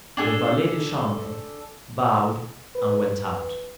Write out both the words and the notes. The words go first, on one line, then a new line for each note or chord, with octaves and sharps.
The valet de chambre bowed and went out.
D4 G#4 A4
B4